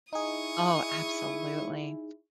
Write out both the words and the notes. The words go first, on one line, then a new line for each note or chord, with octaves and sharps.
Oh, absolutely,
D#4 E4 G#4 C#6 D#6